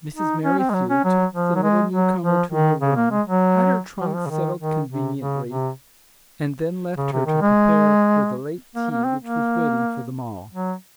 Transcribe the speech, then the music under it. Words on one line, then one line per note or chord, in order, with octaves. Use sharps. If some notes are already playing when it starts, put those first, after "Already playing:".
Mrs. Merrithew took the little newcomer to her room, had her trunks settled conveniently, and then left her to prepare for the late tea which was waiting for them all.
D#4
C#4
C4
G#3
F#3
C#4
F#3
F3
F#3
G#3
F#3
F3
D#3
C#3
A#3
G#3
F#3
F3
D#3
F3
C#3
D#3
D#3
C3
C#3
C3
C#3
C3
D#3
G#3
A#3
A#3
C4
A#3
F#3